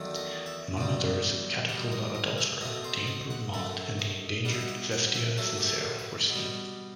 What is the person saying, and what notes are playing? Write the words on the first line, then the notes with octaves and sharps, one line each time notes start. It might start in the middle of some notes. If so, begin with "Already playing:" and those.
Among others, "Catocala adultera", the emperor moth, and the endangered "Xestia sincera" were seen.
Already playing: E2 D#3 F#3 A3
D#5
E5
E2 B2 G3
B2 G3 F#5
D#5
D#5
E5
B2 A3 D#5
C5
D#5
F#5
F#2 F#3 A3 E5
D#5
B2 G3 E5 F#5
F#5
E5
F#5
E5
F#2 F#3 A3 A4
G4
A4
B4
B2 G3